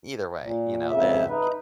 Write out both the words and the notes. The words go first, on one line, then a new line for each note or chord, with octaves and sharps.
Either way, you know, the c
A#2
F2 G#2 C#3 E5
D#4 B4